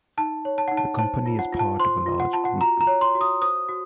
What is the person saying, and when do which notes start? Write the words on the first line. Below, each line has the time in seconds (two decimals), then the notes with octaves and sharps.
The company is part of a large group.
0.17 D#4 A5
0.45 C#5
0.58 A5
0.68 D#4 F#5
0.77 A5
0.99 C5 A5
1.26 F4
1.39 F#5
1.53 F4
1.59 A5
1.80 C5 C6
2.06 F4
2.20 F#5
2.33 F4 A5
2.45 F#5
2.61 F#4 A#5
2.81 A#5
2.87 C#5
3.01 C6
3.15 F#4
3.21 D#6
3.41 C5 D#6
3.69 F#4